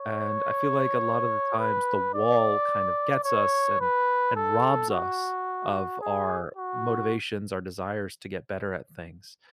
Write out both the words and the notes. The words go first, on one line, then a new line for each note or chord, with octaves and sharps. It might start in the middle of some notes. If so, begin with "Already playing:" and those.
and I feel like a lot of the times, the wall kind of gets us and and robs us of our motivations our desires to get better at things,
Already playing: C#5
B4
D5
C#5
B4
A4
F#4
G#4
F#4